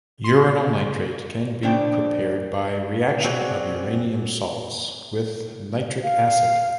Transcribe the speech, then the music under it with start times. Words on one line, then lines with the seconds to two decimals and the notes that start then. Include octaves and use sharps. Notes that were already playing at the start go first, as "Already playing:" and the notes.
Uranyl nitrate can be prepared by reaction of uranium salts with nitric acid.
0.24 C6
1.63 C#3 F3 D4 C5 D5 G5
3.25 C4 F#4 G#4 D5 F#5
6.03 F5